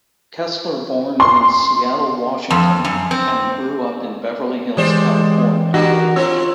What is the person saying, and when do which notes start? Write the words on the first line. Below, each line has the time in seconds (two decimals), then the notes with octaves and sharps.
Kessler born in Seattle, Washington and grew up in Beverly Hills, California.
1.20 C6
2.50 F2
2.85 F#2
3.11 C4
4.77 E3 G#3 G4 C5 D5
5.74 D4 F#4 G4 A#4
6.16 C4 F4 C#5 E6